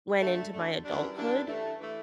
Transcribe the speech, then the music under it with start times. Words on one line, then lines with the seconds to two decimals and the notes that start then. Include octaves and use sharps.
went into my adulthood.
0.21 D2 D3 A3
0.52 D2 D3 A3
0.83 F#2 E3 G3 D4
1.16 F#2 E3 G3 D4
1.48 G2 E3 A3
1.80 E3 A3